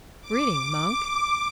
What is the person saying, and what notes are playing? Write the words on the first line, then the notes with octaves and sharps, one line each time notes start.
'Greeting, monk.
D6